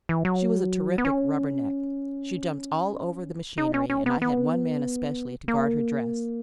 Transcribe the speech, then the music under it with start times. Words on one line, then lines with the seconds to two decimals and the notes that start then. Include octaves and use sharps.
She was a terrific 'rubberneck.' She jumped all over the machinery, and I had one man especially to guard her dress.
0.09 E3
0.25 F#3
0.98 B3
1.05 C#4
3.58 D#4
3.74 C#4
3.90 C#4
4.06 B3
4.22 B3
5.48 A#3